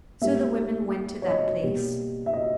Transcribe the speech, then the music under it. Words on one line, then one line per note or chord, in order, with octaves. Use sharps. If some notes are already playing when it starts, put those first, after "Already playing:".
So the women went to that place.
G#2 G3 A#3 E5
C#5
D#5
B2 G3 A#3
E5
D#5